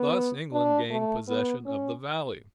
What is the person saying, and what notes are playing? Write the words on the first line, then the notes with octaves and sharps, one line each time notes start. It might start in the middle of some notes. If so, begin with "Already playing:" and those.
Thus England gained possession of the valley.
Already playing: B3
D4
A3
B3
C#4